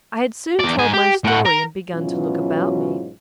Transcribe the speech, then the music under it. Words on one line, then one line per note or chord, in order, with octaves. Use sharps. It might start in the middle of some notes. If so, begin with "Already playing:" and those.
I had soon told my story and began to look about me.
E2 D5
G#2 G#5
G4
A2 F#5
A#4
G#2 B2 E3 F#3 C#4 F4